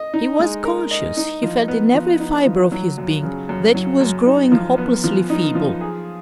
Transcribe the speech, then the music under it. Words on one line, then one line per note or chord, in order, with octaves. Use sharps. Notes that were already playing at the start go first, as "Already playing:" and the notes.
He was conscious, he felt in every fibre of his being that he was growing hopelessly feeble.
Already playing: D#5
D#4
G#3
A#4
D#5
D#4
F3
B3
F3
D#4
F3
F#3
F#2
C#3
F#2
F#3
F#2
D#4
F3
B3
F3
D#4
F3
G#4